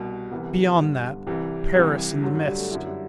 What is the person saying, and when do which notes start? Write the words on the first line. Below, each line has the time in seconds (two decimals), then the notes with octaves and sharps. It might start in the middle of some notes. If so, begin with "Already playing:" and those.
Beyond that, Paris in the mist!
Already playing: C2 B2 G3
0.31 C2 C3 E3 B3
0.80 G2 D3
1.27 C2 C3 E3 G3
1.75 C2 C3 E3
2.22 G2 D3 F#3
2.35 G3
2.46 G3
2.58 A3
2.71 F#2 D3 E4
2.86 G3